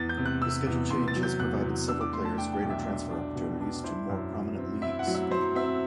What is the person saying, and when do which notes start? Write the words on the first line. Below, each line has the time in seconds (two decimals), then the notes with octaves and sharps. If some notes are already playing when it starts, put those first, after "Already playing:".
The schedule change has provided several players greater transfer opportunities to more prominent leagues.
Already playing: E2 A6
0.09 G6
0.18 C3
0.26 F#6
0.42 C3 E6
0.67 E2
0.90 E2 C6
1.08 A6
1.16 F#3
1.23 G6
1.39 E2 F#6
1.64 E2
1.88 D4 E6
2.01 D6
2.13 A3 C6
2.25 A5
2.38 D4 G5
2.54 G5
2.63 B1
2.70 E5
2.87 D4
3.11 D4
3.35 B2
3.61 D4
3.84 E4 C5
4.09 F#2
4.33 F#3
4.58 C4
4.82 E4 E5
4.99 F#5
5.07 F#3
5.14 E5
5.31 F#3 C5
5.55 C4 E5